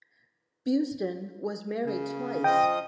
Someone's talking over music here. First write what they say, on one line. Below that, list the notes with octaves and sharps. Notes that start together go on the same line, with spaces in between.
Buston was married twice.
C#3
F3 D#5 G5 D#6